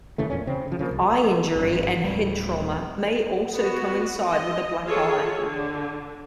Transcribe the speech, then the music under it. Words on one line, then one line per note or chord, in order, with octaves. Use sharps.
Eye injury and head trauma may also coincide with a black eye.
D#2 C#3 E3 A3
E1 F2 A#2 C#4
C#3 C4
C#3 F3
C#3 F3 A#3
C2
G#1 G2
D1 G3
B3 F#4
D#5
F4 G#4 A4 C#5
D3